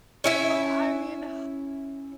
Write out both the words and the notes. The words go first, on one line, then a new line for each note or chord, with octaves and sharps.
But I mean, h
C#4 E4 E5